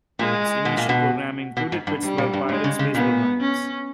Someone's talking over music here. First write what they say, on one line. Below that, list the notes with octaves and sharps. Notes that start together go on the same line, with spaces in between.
Its initial programming included Pittsburgh Pirates baseball games.
A#2 G#3
B2
A#2
B2
B2
G#2
G2
G#2 G3
A#2
G2
G#2 G#3
C#3
C#3
A#2 B3
C#4